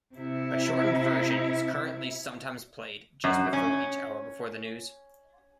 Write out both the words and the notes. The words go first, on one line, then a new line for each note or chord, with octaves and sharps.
A shortened version is currently sometimes played just before each hour before the news.
C3 E4
F#2
C#4